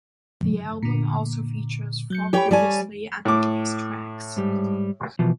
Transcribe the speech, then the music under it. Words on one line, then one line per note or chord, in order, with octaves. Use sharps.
The album also features four previously unreleased tracks.
A#2 D3
F#3 G6 C#7
G4 C#5 G5 G#5 B5
G3 C#5 D5 G#5 A5 C#6
A2 D6
G#2 G3
B2 E3 F3